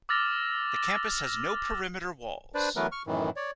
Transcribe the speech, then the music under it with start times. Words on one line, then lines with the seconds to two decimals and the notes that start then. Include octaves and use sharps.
The campus has no perimeter walls.
0.09 D6 E6 F6 A6 A#6 F7
2.55 D4 B4 C5 D5
2.76 E3 F#3 A3 B3 A#4 B4
2.92 C#6 F6
3.07 F#2 A2 D#3 E3
3.36 C#5 D5